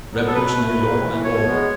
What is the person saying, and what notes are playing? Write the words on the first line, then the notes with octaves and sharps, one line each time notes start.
Revolutionary law and order.
F#3 B3
A4
B2 B4
A3
G#2
E3 A3
B2 C#5
G#3 B3